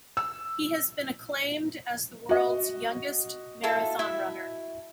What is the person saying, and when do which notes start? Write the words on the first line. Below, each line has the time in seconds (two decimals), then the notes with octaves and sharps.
He has been acclaimed as the world's youngest marathon runner.
0.17 E6
2.29 F#4 D#5
3.63 E4 F4 A4
3.99 E4 E5